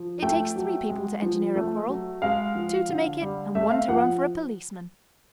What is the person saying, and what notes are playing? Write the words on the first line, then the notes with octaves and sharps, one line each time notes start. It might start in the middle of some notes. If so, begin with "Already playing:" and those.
It takes three people to engineer a quarrel--two to make it and one to run for a policeman.
Already playing: F3
A3 G5
F#3
G#3
F3
A3
F#3
G#3 F5
F3
D3
G3
A3 E5
F5
F3 F#5